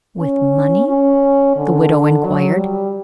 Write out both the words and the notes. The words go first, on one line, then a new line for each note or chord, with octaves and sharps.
"With money?" the widow inquired.
C#4
C#4
D3
F#3
G3